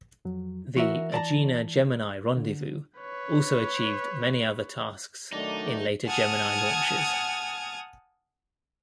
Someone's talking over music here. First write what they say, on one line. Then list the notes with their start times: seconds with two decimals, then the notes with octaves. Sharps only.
The Agena-Gemini rendezvous also achieved many other tasks in later Gemini launches.
0.25 F2 F#3
0.76 E3 F#4 A#4 E5
1.12 D5 A5 A#5
2.37 D3
2.99 B4 C#5
5.32 D#3 F#3 A3 D4 D#4 D5
6.07 F#5 G#5 A5 D#6 F6 G#6